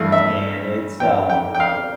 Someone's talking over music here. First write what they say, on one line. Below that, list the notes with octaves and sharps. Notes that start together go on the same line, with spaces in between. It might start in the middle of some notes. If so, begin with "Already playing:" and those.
and, it's, uh,
Already playing: G2 E3 A3 F5
E5
G5
G5
G5
F5